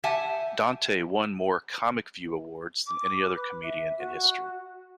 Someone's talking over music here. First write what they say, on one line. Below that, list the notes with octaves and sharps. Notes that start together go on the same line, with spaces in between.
Dante won more "ComicView" awards than any other comedian in history.
G4 E5 F#5 G#5 A5
D6
B4
E5
F#4